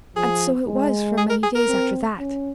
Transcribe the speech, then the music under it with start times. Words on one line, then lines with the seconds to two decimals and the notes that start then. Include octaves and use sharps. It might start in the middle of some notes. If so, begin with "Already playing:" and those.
And so it was for many days after that.
0.16 F3 G#4
0.67 G#3
1.18 G#4
1.30 A#4
1.43 G#4
1.55 A#4
1.68 C4
2.19 C#4